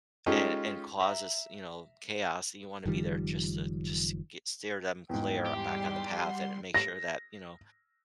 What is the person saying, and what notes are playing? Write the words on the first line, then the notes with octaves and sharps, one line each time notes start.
and and causes, you know, chaos, you wanna be there just to, just get steer them clear back on the path and make sure that, you know,
G#3 C#4 D#4 F4 G4 A4
E5 A#5
F#1 D#3 F3 G3
E2 G#2 G5
G3 G4 C6
F#5
A#6